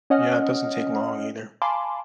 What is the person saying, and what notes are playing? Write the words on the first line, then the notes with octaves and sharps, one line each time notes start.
Yeah, it doesn't take long, either.
C#4 C#5 D#5 F#5 D#6 F6
F5 G#5 A5 B5 C6 D6